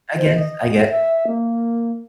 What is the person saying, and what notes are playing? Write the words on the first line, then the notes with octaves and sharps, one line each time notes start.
I guess, I guess.
C5
D#5
E5
A#3